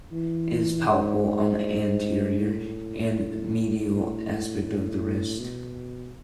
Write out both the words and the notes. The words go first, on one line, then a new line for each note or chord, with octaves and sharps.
It is palpable on the anterior and medial aspect of the wrist.
E3
G#2
A2
A2
B2